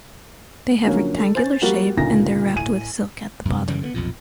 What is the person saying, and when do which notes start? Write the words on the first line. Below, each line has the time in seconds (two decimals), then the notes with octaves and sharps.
They have rectangular shape and they’re wrapped with silk at the bottom.
0.85 D3 F3 F#3 A#3 C#4
1.18 A4
1.35 C5 G#5 A6
1.61 F3 G3 A#3 F#4 G4 A#4
1.97 D2 A#2 C#3 D#4 A#6
2.55 A2 G#5 D#7
3.45 F#2 C3
3.67 F#2 C#3 E3 G3
3.82 D3 A#3 B3
3.94 B1 F2 A#2